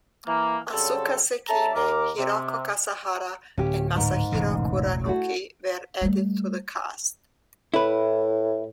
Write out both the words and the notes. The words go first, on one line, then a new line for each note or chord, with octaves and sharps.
Asuka Sekine, Hiroko Kasahara and Masahiro Kuranuki were added to the cast.
E3 A#3
C#3 F#3 G3 C4 A4
C#4 A4 E5 A5 A#5
D#2 A#4 D6
C3
D1 C#4 G4
G#2 A#4
E1 A1 C#3
A3 E4 F#4
G3 A3
A2 E4 B4